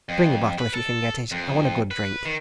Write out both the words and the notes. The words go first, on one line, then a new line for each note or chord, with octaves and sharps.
"Bring a bottle if you can get it--I want a good drink."
F2
B4
A4
F2
B4
D#3